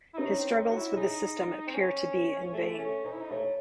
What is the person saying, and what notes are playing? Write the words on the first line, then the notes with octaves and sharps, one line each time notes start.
His struggles with the system appear to be in vain.
E4
C#4 D#4
C4
D#4
F#4
E4
D#4 G#4
C4
C#4
A3 G#4
C#4 A4
D#4 C5
E4
D#4
A3 C#5